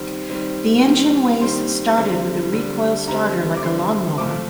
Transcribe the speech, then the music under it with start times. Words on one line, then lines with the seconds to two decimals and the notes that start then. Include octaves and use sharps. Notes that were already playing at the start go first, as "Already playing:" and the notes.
The engine wase started with a recoil starter like a lawn mower.
Already playing: D#3 G3 C4
0.30 D#3 G3 C4
0.86 D#3 G3 C4
1.41 D#3 G3 C4 C6
1.97 D3 G3 C4
2.53 D3 G3 C4
3.07 D3 G3 C4 A#5
3.57 D6
3.63 D3 G3 C4 C6
4.18 F3 A3 C4 D6